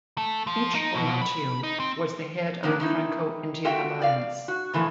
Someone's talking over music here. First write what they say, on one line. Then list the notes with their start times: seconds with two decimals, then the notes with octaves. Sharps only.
Each Onontio was the head of the Franco-Indian alliance.
0.18 A3
0.47 F3
0.75 D#4
0.95 B2
1.22 B5
1.63 D#4
1.80 C4
2.63 G#2 D#3 F3 A#3 D4
2.80 D#3 D#4 E4
3.65 F4 F#4 A4 E5 F#5 G5
4.02 D5 F5
4.48 F#4
4.74 A#2 E3 F3 A3